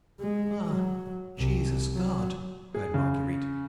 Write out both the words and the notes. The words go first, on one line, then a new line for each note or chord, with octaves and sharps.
"Ah! Jesus God!" cried Marguerite.
G#3
F#3
C2
F#3
G#4
C#3